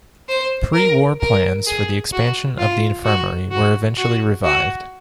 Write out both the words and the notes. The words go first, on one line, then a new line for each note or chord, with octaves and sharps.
Pre-war plans for the expansion of the Infirmary were eventually revived.
C5
A#4
A#4
G#4
F#4
F4
F#4
F#4
F#4
F#4